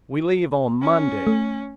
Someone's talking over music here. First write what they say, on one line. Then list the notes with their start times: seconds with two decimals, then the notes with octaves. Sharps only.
"We leave on Monday."
0.81 C#4
1.27 A3